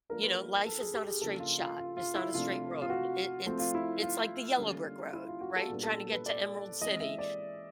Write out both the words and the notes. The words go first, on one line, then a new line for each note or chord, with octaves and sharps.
you know, life is not a straight shot. It's not a straight road. It it's it's like the yellow brick road, right? Trying to get to Emerald City.
F3 A#3 D4 A#4
B4
A#4
A4
G#4
G4
G#4
C#3 F3 A#3 D4 A4
F4
F4
F4
F4
E4
C3 F3 A3 D4 F4
F4
F#4
F3 A3 C4
F4
E4
F4
D3 G3 A#3 C#4
E4
F4
F#4
A4
A#2 G3 B3 D4
A4
B4
D5
E3 G#3 C4 D#5
E5
D5